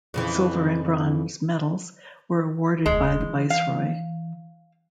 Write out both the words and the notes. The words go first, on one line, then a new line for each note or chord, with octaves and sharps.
Silver and Bronze medals were awarded by the Viceroy.
F2 C#3 E3
E1 D2 G#3
E3
F5